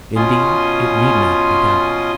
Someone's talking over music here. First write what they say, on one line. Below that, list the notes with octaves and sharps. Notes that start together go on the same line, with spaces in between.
Indeed it need not be doubted.
B2 C#4 F4 G#5 C6 D#6